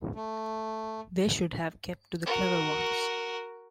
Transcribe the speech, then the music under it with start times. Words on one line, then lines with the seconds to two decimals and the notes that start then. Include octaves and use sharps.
They should have kept to the clever ones.
0.15 A3
2.26 F#4 A#4